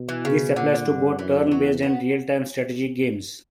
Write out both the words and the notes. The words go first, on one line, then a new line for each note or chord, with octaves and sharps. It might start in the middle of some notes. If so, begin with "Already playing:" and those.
This applies to both turn-based and real-time strategy games.
Already playing: B2
E3
C#3
A#2 D3
G2
F#2 E3
E2 F#3
B3